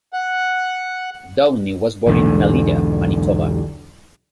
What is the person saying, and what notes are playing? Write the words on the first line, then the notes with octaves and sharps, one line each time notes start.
Downey was born in Melita, Manitoba.
F#5
B1 E2 G#2 D3